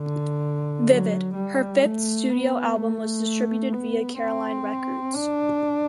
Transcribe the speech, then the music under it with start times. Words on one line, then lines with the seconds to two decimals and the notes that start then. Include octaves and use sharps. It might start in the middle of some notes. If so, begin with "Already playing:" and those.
"Vivid", her fifth studio album was distributed via Caroline Records.
Already playing: D3
0.87 F#3
1.34 G3
1.82 A3
2.30 B3
2.77 A3
3.72 B3
4.19 C4
5.14 D4